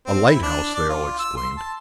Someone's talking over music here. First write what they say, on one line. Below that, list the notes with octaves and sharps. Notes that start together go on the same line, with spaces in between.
"A lighthouse!" they all exclaimed.
C4
E4
D4
D5
F4
E6
C6
A5